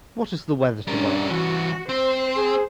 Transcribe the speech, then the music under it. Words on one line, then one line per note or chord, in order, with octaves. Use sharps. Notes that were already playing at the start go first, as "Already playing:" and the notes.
What is the weather tomorrow?
G3 C#4 D4 A#4
E3 G3 F#4
C4 C5
G#4